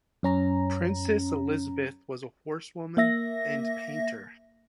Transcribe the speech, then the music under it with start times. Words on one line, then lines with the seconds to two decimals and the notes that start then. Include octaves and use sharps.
Princess Elisabeth was a horsewoman and painter.
0.23 F#2 C#4 A#5
2.97 A#3 E5 A#6